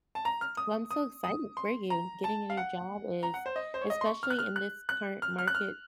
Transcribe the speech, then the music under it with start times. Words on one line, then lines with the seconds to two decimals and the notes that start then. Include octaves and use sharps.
Well, I'm so excited for you. Getting a new job is especially in this current market
0.15 A5
0.25 A#5
0.41 F6
0.57 D#6
0.91 D#6
1.24 D#6
1.57 C6
1.90 A#5
2.24 A5
2.50 F5
2.57 F#5
3.23 A#5
3.34 F#5
3.46 C5
3.56 D#5
3.74 C5
3.81 C#5
3.90 D#5
4.01 C6
4.06 C#6
4.23 F6
4.30 F#6
4.39 F6
4.56 F#6
4.89 F#6
5.22 F6
5.39 F6
5.48 F#6
5.55 F6